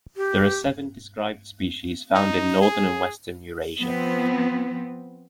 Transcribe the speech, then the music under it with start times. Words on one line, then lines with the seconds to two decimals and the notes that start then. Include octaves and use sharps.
There are seven described species found in northern and western Eurasia.
0.17 G4
2.15 D#4
2.61 G#4
3.80 F3 B3 C4